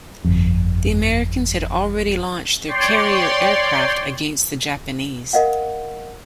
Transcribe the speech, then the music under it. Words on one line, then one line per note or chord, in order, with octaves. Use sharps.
The Americans had already launched their carrier aircraft against the Japanese.
G1 F2
C#5 D5 G5 C6
A#4 D#5 F5 F#5